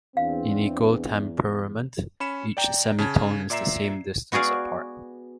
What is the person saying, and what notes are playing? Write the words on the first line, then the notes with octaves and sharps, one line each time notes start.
In equal temperament, each semitone is the same distance apart.
E2 C4 D4 F5
C#4 B5 C#7 E7
D5 G5 A#5
C#3 A5 G#6
A#2 D5 E5 A#5 C7 E7
B3 F#4 G#4 D5 F5